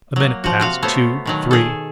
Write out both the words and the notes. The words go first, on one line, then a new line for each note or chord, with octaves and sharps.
A minute passed--two--three.
F#3 A#3
F3 F#4
C3 F#4 F5
A3 B3 C5 C#5
B2 D#3 F#3
G#4 A4